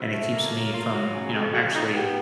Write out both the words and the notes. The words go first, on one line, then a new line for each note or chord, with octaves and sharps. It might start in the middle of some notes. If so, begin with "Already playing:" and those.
and it keeps me from, you know, actually
Already playing: D2
A3
A#3
F#3
A#3 F4
F#3
C#3
F2
F2 F#4
F2 D#4
B3 G4